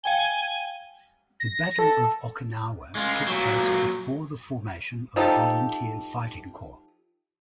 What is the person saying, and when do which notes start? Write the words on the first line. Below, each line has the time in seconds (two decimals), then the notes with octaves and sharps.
The Battle of Okinawa took place before the formation of Volunteer Fighting Corps.
0.04 F5 G5 G#5 G7
1.40 A#6
1.79 A4
2.95 G#3 F4
3.27 A#2 F#3
5.16 F3 D#4 G4 A4